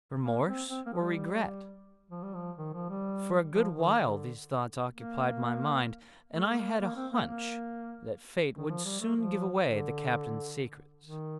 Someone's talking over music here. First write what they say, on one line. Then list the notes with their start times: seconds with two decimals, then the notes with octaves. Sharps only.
Remorse or regret? For a good while these thoughts occupied my mind, and I had a hunch that fate would soon give away the captain's secrets.
0.23 A#3
0.46 C4
0.70 C4
0.86 A#3
0.93 F3
1.01 G3
2.11 F3
2.23 G3
2.34 F3
2.58 D#3
2.73 F3
2.89 G3
3.52 F3
3.76 D#3
3.99 D3
4.93 A#3
6.34 A3
6.52 A3
6.57 A#3
6.80 A#3
6.96 C4
7.12 A#3
7.27 A#3
8.58 D#3
8.69 F3
8.85 G3
9.00 A3
9.16 F3
9.63 D3
11.04 D#3